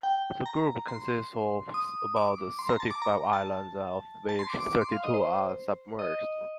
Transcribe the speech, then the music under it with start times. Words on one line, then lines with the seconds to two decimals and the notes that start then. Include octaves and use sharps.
The group consists of about thirty-five islands, of which thirty-two are submerged.
0.03 G5
0.46 A#5
0.88 C6
1.74 D#6
2.16 D6
2.59 C6
2.69 A#5
2.80 A5
2.91 D6
3.02 A#5
3.33 A5
4.29 A5
4.39 C6
4.50 D6
4.60 D6
4.72 D6
4.81 C6
4.92 F5
5.04 D#5
5.14 C5
5.99 D#5